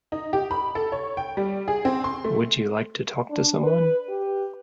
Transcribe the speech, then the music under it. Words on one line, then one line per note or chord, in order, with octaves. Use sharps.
Would you like to talk to someone?
D#4
G4
B5
A4
C#5
G5
G3
G#4
C4
C6
A3
D4
B4
G4